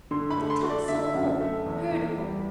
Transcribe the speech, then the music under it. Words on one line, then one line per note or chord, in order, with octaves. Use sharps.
Little Tuk saw all, heard all.
D3 C6
B5
A3
C6
A3
D5
D3 E5
F#2
A3
E2
E2
G3